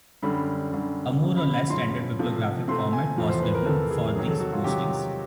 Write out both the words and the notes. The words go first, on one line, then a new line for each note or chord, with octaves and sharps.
A more or less standard bibliographic format was developed for these postings.
F#2 D3 G3 B5
F#2 D3 G3
F#2 C#3 F3
B5
B5
F#2 C#3 F3 C6
C3 F3 A3
C3 F3 A3 C6
G#5
E2 C3 F3 A3
C5
B4
A#4
E2 C3 F3 A3 A4
G#4
C3 D#3 F#3 G#4
A4
F#4
F4
C3 D#3 F#3 G4